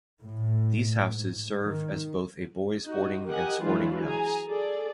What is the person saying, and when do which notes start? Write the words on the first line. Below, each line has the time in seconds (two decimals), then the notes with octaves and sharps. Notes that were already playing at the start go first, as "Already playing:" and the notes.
These houses serve as both a boys boarding and sporting house.
0.22 A2
1.09 G#2
1.65 D#3
2.86 D#4 F#4
3.29 G4 A#4 D#5 F#5 G#5
3.63 E3 F#3 G#3 D4 E4 F4
4.06 G#4 G#5 A#5
4.48 G#4 A4 D5